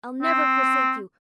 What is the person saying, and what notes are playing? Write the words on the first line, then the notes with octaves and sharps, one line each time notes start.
I'll never forsake you.
C4